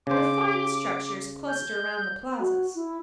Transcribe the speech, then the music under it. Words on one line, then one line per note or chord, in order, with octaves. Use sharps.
The finest structures cluster around the plazas.
C#3 C5 D6
G6
F#4
E4